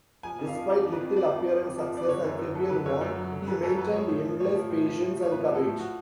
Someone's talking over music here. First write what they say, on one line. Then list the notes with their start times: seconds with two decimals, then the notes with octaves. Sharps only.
Despite little apparent success and severe want, he maintained endless patience and courage.
0.23 F3 G#5
0.39 F2
0.47 F5
0.55 F3
0.70 F2 D5
0.86 F3
0.92 B4
1.01 F2
1.16 F3 D5
1.31 F2
1.47 F3
1.62 F2
1.78 F3
1.93 F2 D5
2.09 D3 C#5
2.24 F#2
2.39 F#2
2.55 F#3 A4
2.70 D3 B4
2.86 F#2 C#5
3.01 F#2
3.16 F#3
3.32 D3
3.47 F#2 B4
3.63 F#2 A4
3.78 F#3 B4
3.93 F3 C#5
4.08 A2
4.25 F3
4.40 A2 C#5
4.55 F3
4.70 A2
4.86 F3
5.01 A2
5.17 F3
5.23 C#5
5.32 A2 B4
5.48 F3
5.55 A4
5.63 A2
5.78 F3 F#4